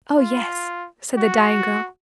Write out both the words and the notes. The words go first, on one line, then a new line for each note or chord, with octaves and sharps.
"Oh, yes," said the dying girl.
F4
F#4